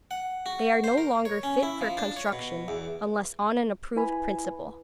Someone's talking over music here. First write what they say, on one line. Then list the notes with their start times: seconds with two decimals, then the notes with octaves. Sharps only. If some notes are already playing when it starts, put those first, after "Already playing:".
They are no longer fit for construction unless on an approved principle.
0.11 F#5
0.46 F#4
0.84 C5
0.98 A#4
1.25 C#5
1.43 C#4
1.63 E4
1.81 F3
1.97 D4
2.17 C#5
2.32 B2
2.68 E2
3.96 E4 B4 G#5 B5